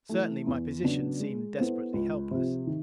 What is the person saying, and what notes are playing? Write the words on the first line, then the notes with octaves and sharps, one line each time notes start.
Certainly my position seemed desperately helpless.
E3 A3
E2
C#3 F#3 B3 D4
G#3
B3 E4 A4 C5
C#2
C3 F3
D#3